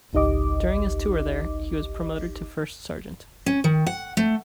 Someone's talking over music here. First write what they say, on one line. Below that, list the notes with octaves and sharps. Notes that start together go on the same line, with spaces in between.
During his tour there, he was promoted to first sergeant.
G#1 C#2 D#4 G4 D#5 D6
C#4
D#3
F#5
A3